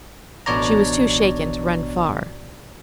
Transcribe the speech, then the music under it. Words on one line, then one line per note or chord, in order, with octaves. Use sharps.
She was too shaken to run far.
A1 B2 D4 C#5 D5 A#5